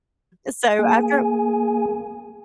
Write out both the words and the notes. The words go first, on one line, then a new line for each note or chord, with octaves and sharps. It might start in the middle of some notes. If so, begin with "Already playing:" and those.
And so, after
A#3 G#4 G#5